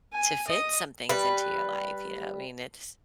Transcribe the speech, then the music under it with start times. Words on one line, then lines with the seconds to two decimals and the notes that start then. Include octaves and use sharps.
to fit some things into your life, you know, I mean, it's
0.13 G#5
0.47 D#5
1.09 G3 B4